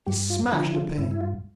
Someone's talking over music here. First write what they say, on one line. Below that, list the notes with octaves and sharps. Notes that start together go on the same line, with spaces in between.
He smashed a pane.
G2 G4
F4
D3 F3 E4
E4
F4
G2 E4
E4
F4